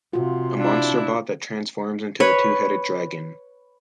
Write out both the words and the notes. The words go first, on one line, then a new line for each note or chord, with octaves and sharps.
A Monsterbot that transforms into a Two-Headed Dragon.
C3 F4 F#4
D4 E4
B4 C#5